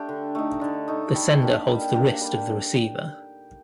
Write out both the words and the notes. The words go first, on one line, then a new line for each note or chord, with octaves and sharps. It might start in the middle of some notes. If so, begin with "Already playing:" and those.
The sender holds the wrist of the receiver.
Already playing: A3 D4 G4
D3
A3 D#4
D3
A3 D#4
G3
A#3 D4 G4
G3
A#3 D4 G4
G3